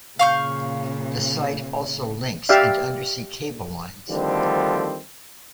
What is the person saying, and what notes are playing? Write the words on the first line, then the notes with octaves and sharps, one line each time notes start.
The site also links into undersea cable lines.
A#2 C#3 F5 C#6 G6
G4 D5 E5 F5
D2 D3 D#3 F3 G3 C4